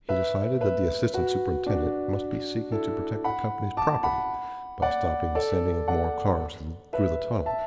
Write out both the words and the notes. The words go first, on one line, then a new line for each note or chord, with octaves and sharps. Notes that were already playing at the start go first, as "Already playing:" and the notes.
He decided that the assistant superintendent must be seeking to protect the company's property by stopping the sending of more cars through the tunnel.
B4 E5
B4 E5
F#4 B4
D4 F#4
E4 A4
F#5 B5
A5 D6
F#5 B5
D5 F#5
A4 D5
D5 F#5
B4 E5
E5 A5